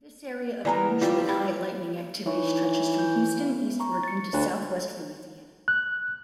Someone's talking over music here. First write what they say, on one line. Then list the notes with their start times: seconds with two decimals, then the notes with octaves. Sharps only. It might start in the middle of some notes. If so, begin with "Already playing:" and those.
This area of unusually high lightning activity stretches from Houston eastward into Southwest Louisiana.
0.65 E3 B3 A#4 D5 G#5 A#5
1.01 G3 E4 F4 G4 D5 E5
1.29 G3 D5 B5
2.26 E3 D#4 C#5 C#6
2.98 G6
3.38 B3
3.80 A#5 C#6
4.03 A6 C#7
4.33 D2 C#5 F#6
5.68 F#6